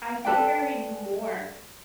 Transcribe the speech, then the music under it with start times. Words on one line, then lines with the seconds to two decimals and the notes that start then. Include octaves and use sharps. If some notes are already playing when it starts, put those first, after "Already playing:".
I think I read more.
0.25 A4 B4 D5 G5